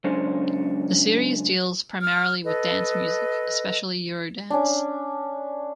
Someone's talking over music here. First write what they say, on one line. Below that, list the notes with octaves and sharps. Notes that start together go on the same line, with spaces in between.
The series deals primarily with dance music, especially Eurodance.
C#3 F#3 G#3 C#4 D4 C5
F6
A4 B4 D#5
C#4 D4